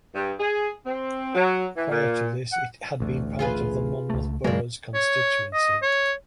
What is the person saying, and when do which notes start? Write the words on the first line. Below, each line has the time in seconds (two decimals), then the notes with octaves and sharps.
Prior to this it had been part of the Monmouth Boroughs constituency.
0.15 G2
0.39 G#4
0.86 C4
1.35 F#3
1.77 E3
1.90 A#2
2.52 F#5
3.00 A1 D2
3.39 F4 G#4 B4
4.09 C#2 A3
4.44 F#2 C#3 F#3 G#3 A#3 D4
4.94 C#5
5.53 D#5
5.83 C#5